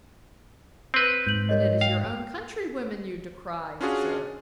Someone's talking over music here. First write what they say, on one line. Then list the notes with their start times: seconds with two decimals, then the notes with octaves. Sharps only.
"Then it is your own countrywomen you decry, sir!"
0.94 C4 B4
1.27 G#2 G6 F#7
1.49 A#4 C#5 D#5
1.81 F5 G5
3.81 C#4 D4 F4 F#4 G#4